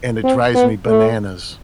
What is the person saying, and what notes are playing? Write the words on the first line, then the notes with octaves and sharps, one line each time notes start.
and it drives me bananas.
C4
B3
A3